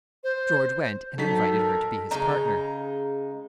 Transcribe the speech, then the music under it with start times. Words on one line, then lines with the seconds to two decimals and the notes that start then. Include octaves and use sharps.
George went and invited her to be his partner.
0.24 C5
1.18 F#3 D#4 A4 B6
1.59 A#4
2.11 C#3 G#3 D#4 A#5